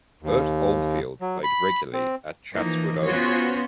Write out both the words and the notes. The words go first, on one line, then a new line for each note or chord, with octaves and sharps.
Bert Oldfield played regularly at Chatswood Oval.
D#2
F#3
B5
C4
E3 F3 A#3 D#4
B3 C#4 F4 F#4 C5 C#5